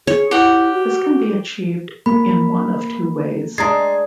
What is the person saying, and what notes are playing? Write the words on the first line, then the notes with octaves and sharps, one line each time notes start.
This can be achieved in one of two ways.
G#4 C#5
E4 G4 F#5
F#4
A#3 B5
G#3 D4 A5 A#5 D#6 G#6 A6 C7